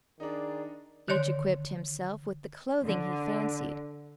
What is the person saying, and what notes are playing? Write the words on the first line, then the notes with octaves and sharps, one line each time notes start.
Each equipped himself with the clothing he fancied.
D#3 D4 D#4 G#4 D5 A#5
D3 D#3 C#5 D5 C6
D3